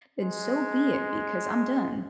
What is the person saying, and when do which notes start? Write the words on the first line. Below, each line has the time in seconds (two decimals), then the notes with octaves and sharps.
then so be it, because I'm done.
0.21 G#3